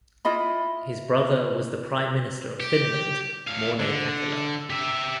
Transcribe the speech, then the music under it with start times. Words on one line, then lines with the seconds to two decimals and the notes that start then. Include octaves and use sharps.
His brother was the Prime Minister of Finland Mauno Pekkala.
0.25 E4 F4 D#5 B5
2.60 G4
3.47 A2 F5
3.80 D3
4.70 G4 E5